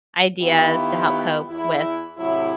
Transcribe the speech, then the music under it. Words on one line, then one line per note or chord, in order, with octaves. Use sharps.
ideas to help cope with,
D#3 B3 E4 F4 G4
E2 E4
A2 C3 F#3 E4